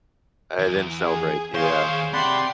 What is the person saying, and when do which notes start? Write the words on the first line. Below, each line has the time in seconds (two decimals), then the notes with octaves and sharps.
I didn't celebrate, yeah.
0.59 E2
1.05 G#4
1.54 D#2 G#4 C5 C#5 F5 C6
2.13 C4 G4 D5 F#5 G5 B5 C6